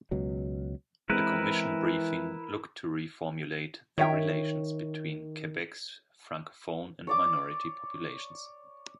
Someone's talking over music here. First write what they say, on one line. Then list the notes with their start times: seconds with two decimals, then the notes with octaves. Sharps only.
The commission briefing looked to reformulate the relations between Quebec's francophone and minority populations.
0.11 C#2 B2 F#3
1.10 E3 G#3 C4 E4 A#4 B4
3.98 D#3 C#5 E5 G5
7.07 C#5 D5 D6